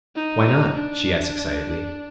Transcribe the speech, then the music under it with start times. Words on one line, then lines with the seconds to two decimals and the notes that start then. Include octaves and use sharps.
"Why not?" she asked excitedly.
0.15 D#4
0.76 D4